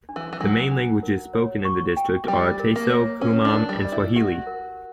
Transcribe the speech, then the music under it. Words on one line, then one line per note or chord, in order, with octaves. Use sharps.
The main languages spoken in the district are Ateso, Kumam, and Swahili.
D4
E3
E3
F#3 D4
D4
A#4
C#5
C#6
G5
A#3
G3 G5
A#4
A#3
C#5
C#4 A#4
D4
A#4
G3
D5
E4
F#4 G4
A#4